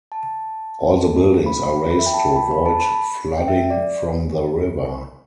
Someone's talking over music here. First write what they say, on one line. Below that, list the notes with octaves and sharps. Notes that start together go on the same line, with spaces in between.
All the buildings are raised to avoid flooding from the river.
A5
B5
B5
E5
G5
A5
B5
B5
A5
B5
G5
E5
D5